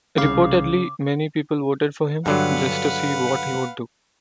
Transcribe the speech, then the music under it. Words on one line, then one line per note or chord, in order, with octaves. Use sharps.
Reportedly many people voted for him just to see what he would do.
C2 C#3 F5 D6
G2 D3 F#3 B4 F5 F#5